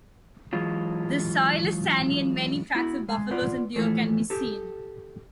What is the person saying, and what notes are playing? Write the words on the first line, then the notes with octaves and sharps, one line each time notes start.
The soil is sandy and many tracks of buffalo and deer can be seen.
E3 F#3 G#3 F4
B3 E4 F#4
G#3
F4 B4 D5 F#5
A2 E3 F3 A3
G4 A4